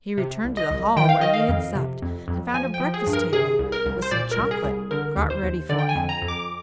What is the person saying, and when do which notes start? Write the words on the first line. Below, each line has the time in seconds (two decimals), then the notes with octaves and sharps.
He returned to the hall, where he had supped, and found a breakfast table, with some chocolate got ready for him.
0.18 C3
0.44 C2
0.57 D#5
0.71 C2
0.97 D#3 G5
1.09 F5
1.21 D#3 D#5
1.34 F5
1.49 F2
1.75 C3
2.02 F2
2.28 F2
2.54 F3 G#5
2.74 G5
2.80 F3
2.94 G#4
3.07 G2
3.13 A#4
3.32 C3 G#4
3.59 C2
3.72 A#4
3.85 C2
4.02 C5
4.11 A#2 D5
4.31 A#4
4.38 C2
4.51 G#4
4.64 C2
4.91 D3 A#4
5.17 D#2
5.30 C5
5.43 D#2
5.69 D3 D5
5.79 G5
5.89 G#5
5.96 F2
6.09 A#5
6.22 F2
6.28 D6